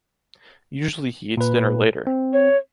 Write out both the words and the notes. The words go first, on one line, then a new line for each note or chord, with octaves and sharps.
Usually he eats dinner later.
A#2 B4
C4
C#5